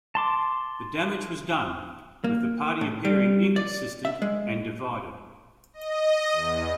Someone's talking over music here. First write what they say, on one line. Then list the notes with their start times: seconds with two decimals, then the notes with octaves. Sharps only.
The damage was done, with the party appearing inconsistent and divided.
0.15 A5 C6 D6
2.24 A#3
2.81 A2
3.05 G3
3.56 D5
4.05 E5
4.22 G#3
5.73 D#5
6.32 E2